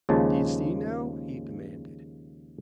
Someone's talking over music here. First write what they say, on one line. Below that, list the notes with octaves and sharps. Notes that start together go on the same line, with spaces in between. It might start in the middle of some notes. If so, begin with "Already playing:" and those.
"D'ye see, now!" he demanded.
D#2 C#3 F3 G#3 A5